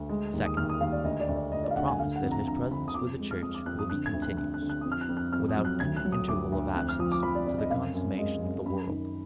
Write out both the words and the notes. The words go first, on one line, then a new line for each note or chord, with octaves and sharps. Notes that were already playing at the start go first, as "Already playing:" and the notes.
Second--A promise that His presence with the Church will be continuous, without any interval of absence, to the consummation of the world.
Already playing: D2
G#3
D#2
D#6
D#2 F6
D#6
D#2 F5
D5
D2 D#5
D5
D2
D5
D2 D#5
D5
F5
D2 F#5
G#5
D3 F5
F#5
F2
A#5
D3 A#5
F2 B5
D#6
F2 D6
G#3
F6
F2 D#6
D6
F2 F#6
D#6
D3 F#6
G#6
D2
F#6
D3 F#6
F#6
D3
F#6
F2 D#6
F6
F#6
F2
F#6
F2 F6
D#6
F#3
F#6
D2 G#6
F#6
F#3
D#6
D2 D6
D2
F2 F#6
F6
F3 D#6
D6
F3 B5
D5
F2 D5
D#5
F#2 F5
F#2
G#3 D#5
F#2
F#2 B5
D#3